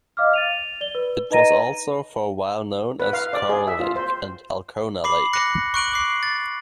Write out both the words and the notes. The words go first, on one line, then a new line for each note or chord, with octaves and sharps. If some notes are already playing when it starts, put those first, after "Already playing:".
It was also for a while known as "Coral Lake" and "Alcona Lake".
D#5 F5 D6 F6
A6 D#7 F7
D5 G7
B4
D#4 B4 D#5 A#5 A#6 D#7
B4
F5
D5
G#4
E5
F4
C5
B5 D6 C7 F#7
D6 F#6 A#6 C#7
C#6 F#6 D7 F#7
D6 C7
A6